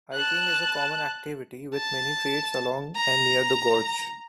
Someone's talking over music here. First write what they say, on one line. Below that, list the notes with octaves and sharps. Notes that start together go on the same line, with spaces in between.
Hiking is a common activity with many trails along and near the gorge.
A5 F#6
A5
A#5